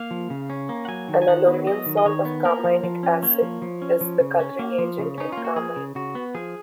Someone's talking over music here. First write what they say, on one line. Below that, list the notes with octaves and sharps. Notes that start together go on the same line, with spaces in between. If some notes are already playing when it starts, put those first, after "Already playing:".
An aluminum salt of carminic acid is the coloring agent in carmine.
Already playing: A#3 F5
F3
C#3
C#4
A#3
F#5
F#3 G#5
D#3
G#5
D#3 F#5
B3
F#3 D#5
D#3
D#5
D#3 C#5
B3
A#3 A#4
F3
F3
C#4
A#3 C#5
F3
F3
C#4
F3
C#3
C#4
A#3
F3
C#3
C#4 D#4
A#3 F4
F#4
F3 G#4
C#3
C#3 F#4
B3
F3 G#4